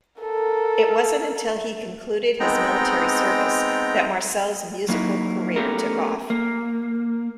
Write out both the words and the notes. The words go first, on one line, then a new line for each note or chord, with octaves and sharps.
It wasn't until he concluded his military service that Marcel's musical career took off.
A4 A#4
G#3 B3 C4 D#4 G5 A#5
F#3 A#3 D#4 E4
A3 B3 C#4 G4 A4 A#4
A#3